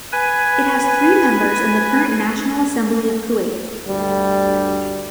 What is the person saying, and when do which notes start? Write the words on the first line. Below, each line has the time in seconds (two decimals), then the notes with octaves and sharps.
It has three members in the current National Assembly of Kuwait.
0.12 B4 G#5
3.85 D2 G2 G3